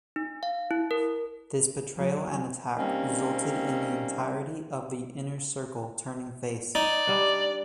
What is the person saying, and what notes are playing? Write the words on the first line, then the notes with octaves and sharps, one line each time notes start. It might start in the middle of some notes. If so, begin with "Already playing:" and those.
This betrayal and attack resulted in the entirety of The Inner Circle turning face.
D#4
F5
E4
A#4
F#3
C3 D#3 G3 A#3 C4 C#4
D#4 D5
G3 D4